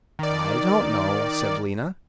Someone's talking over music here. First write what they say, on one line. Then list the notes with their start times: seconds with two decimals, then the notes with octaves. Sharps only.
"I don't know," said Lena.
0.19 D#3 D5